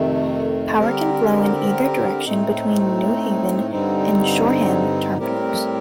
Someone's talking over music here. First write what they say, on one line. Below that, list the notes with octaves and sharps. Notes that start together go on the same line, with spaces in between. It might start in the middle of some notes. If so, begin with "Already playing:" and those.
Power can flow in either direction between New Haven and Shoreham terminals.
Already playing: F2 C3 D#3 A3
D3 G3 C4 G4 A#4
A2 A3 C4 D#4
G2 D3 G3 C4 D#4
A2 G3 C4 G4 A#4